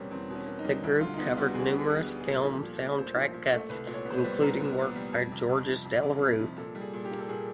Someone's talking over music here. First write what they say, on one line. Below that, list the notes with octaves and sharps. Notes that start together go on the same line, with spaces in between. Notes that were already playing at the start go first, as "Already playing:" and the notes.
The group covered numerous film soundtrack cuts, including work by Georges Delerue.
Already playing: E2 B2 G3 A#3 C4 C#4
E2 C4
B2
C#4
A#3
D#4
G3
D2 E4
D3 F4
D#4
B3 D4
G3 F#4
D2 G#4
D3
B3
G3
G#4
A#2 A4
F3
A#2
A3
A#2 C5
F3
A#2
A3
C2 B4
A#2
C#5
B3
C5
B4
G3
C2 A#4
A#2
B3
G3
F2
C3
F2
F3
F2
C3
F2
F3
A#2 A4
G3
G#4
A#2
G4
A#3
A4
A#2 G#4